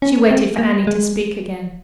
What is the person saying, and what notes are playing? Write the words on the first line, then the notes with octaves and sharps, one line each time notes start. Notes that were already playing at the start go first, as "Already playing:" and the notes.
She waited for Annie to speak again.
C#4
C4
A#3
G#3